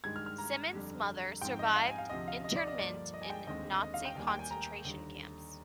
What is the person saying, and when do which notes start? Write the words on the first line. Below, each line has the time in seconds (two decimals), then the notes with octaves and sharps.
Simmons' mother survived internment in Nazi concentration camps.
0.04 G2 D#3 G#3 G#6
0.16 F6
0.26 F6
0.38 A#5
0.73 F2 D3 G3
1.42 G#2 F3 C4 G5
1.59 D#5
1.76 F5
1.87 G#5
1.98 F5
2.10 D2 C3 F3 D#5
2.28 F5
2.44 D#5
2.56 D5
2.68 D#5
2.79 G2 D3 F3 A#3 D5
3.14 D#5
3.22 G#5
3.30 G5
3.47 D#2 D3 G#3 C4 D#5
3.81 D#5
3.94 F5
4.05 G5
4.16 D#2 D#3 G3 A#3 G#5
4.28 G5
4.39 G#5
4.51 A#5
4.85 D#2 D3 G3